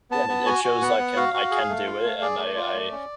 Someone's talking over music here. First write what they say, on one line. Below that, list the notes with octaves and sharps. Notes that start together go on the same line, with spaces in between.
Yeah, and it shows I can I can do it, and I I,
B3 A5
B3
F#4 G#5
F#4
B3 F#5
B3
F#4 F5
F#4
G#4
A3
F4
A3
G#4 D5
A3
F4
A3
C#4